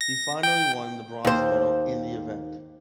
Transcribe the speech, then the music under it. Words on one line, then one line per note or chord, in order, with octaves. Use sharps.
He finally won the bronze medal in the event.
A#6
G5
D#2 C5